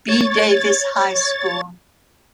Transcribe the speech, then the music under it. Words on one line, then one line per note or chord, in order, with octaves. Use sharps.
B. Davis High School.
C#5 A6